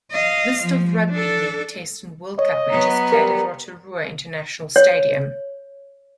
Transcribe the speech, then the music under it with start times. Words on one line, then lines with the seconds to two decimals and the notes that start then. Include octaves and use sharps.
List of rugby league Test and World Cup matches played at Rotorua International Stadium.
0.12 D#5 F5
0.62 F3
1.11 D4 A4
2.39 C#5 D#5
2.70 F#3 B3 A#5
3.12 G3 A#4
4.76 C#5